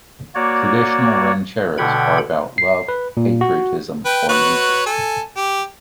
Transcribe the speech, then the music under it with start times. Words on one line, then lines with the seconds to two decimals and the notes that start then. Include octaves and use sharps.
Traditional rancheras are about love, patriotism or nature.
0.35 A#3 F#4 C#5 D5
1.78 B2 D3 F#5 G5 B5 G#6
2.58 C7
2.88 B4
3.17 A#2
3.41 F#4
4.05 B4 G5
4.29 F#4 B4 C#5
4.86 A4 G#5
5.37 G4